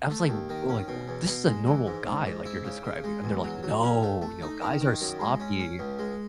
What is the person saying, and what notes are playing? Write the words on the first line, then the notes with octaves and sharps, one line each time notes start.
I was like or, like, "This is a normal guy," like, "you're describing," and, they're like, "No," you know, "guys are sloppy."
A3
D#2
D#3
C#4
B2
E2
B2
G#3
E3
G#2
G#2
G#2
E4
C#3
C#3
G#3
E2
F#3
F#3
C#4
A3
A3
D#4
D#3
D#3
F#2
G#3
C#4
C#4
C#2
G#3